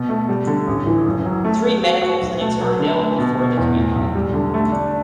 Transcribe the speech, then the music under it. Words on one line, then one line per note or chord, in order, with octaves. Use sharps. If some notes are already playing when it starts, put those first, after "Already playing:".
Three medical clinics are available for the community.
Already playing: B2
A3
G3
D3
A1
E3
F#1
F#3
A3
A3
F#4
F#4
B1
A3
F#3
D3
A3
B2
B2
E2
A2
B1
G3
D3
A3
D4